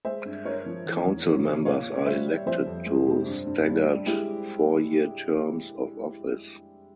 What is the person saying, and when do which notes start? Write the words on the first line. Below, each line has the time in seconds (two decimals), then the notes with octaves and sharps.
Council members are elected to staggered four-year terms of office.
0.05 G#3 C5 E5
0.25 G2
0.45 G2 A#4 C#5
0.66 F3
0.86 E3
1.05 E2
1.25 E2
1.46 C3
1.65 A#2 C#5 F5
1.85 A#2
2.06 G3 C5 E5
2.26 G3
2.46 F3 C5 E5
2.67 F2
2.86 G#3
3.07 C3
3.27 G2
3.47 G2
3.67 G3
3.87 G3
4.06 G#3 E4 G4